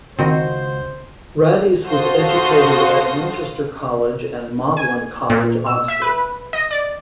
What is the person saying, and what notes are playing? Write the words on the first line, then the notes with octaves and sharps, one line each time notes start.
Radice was educated at Winchester College and Magdalen College, Oxford.
C#2 D#3 C4 F#4 C5 D#5
F#4 A4 C5 F5 C6 D#6
G#5
A#2
E6
E5
B4
D#5
D5